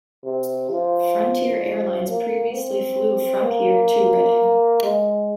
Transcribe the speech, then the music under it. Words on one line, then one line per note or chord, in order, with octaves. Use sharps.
Frontier Airlines previously flew from here to Redding.
C3
F3
A#3
C4
A#3
G#3